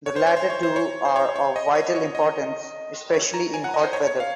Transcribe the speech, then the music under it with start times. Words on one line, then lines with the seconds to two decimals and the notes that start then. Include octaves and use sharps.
The latter two are of vital importance, especially in hot weather.
0.06 C#5
0.16 C5
0.27 C#5
0.37 C5
0.50 C#5
0.63 C5
0.76 C#5
1.05 C5
1.16 C#5
1.36 C#5
1.56 D#5
1.75 C#5
1.96 C#5
2.15 D#5
3.14 C#5
3.34 A#5
3.54 G#5
3.64 F#5
3.74 D#5
3.84 C5
3.93 C#5
4.07 C#5
4.20 F5